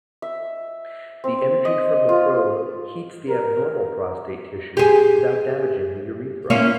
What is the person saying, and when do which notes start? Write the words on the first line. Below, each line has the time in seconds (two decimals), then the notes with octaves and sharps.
The energy from the probe heats the abnormal prostate tissue without damaging the urethra.
0.22 E5
1.24 C4
1.65 D#5
2.09 F4
3.29 A#4
4.77 G4 G#4
6.50 A#3 C#4 E4